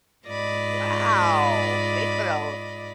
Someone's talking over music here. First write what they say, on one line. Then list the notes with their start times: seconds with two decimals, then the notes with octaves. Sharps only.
Wow! They put al
0.26 G#2 F4 D5 D#5 B5